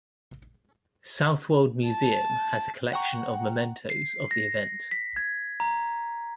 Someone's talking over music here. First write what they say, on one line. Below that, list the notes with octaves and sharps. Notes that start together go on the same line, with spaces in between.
Southwold Museum has a collection of mementos of the event.
A5
F#5 G5 A#5 C#6
C7
A#6
B6
G#6
A#5